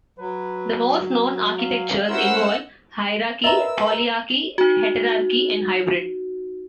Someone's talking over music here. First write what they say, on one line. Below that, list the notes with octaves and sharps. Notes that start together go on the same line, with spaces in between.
The most known architectures involve hierarchy, polyarchy, heterarchy, and hybrid.
F#3 B4
F5
C#4 E4 A#4 C5 F#5 E6
A#4 B4 D#5 E5 A#5 E6
D#4 F#4